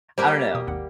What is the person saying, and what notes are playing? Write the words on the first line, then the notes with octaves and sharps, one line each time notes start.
I don't know.
G3 A#3 G4 C5
B2 D#6
G#1 D#2 F#5